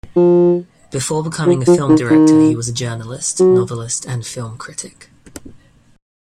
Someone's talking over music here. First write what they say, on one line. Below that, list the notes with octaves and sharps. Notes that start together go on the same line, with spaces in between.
Before becoming a film director he was a journalist, novelist and film critic.
F3
F3
F3
D#3
D#3
F#3